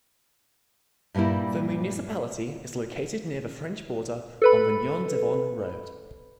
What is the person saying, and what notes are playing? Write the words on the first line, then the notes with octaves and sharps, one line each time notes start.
The municipality is located near the French border on the Nyon-Divonne road.
G2 A#2 G3 A#3 E4
A4 B4 B5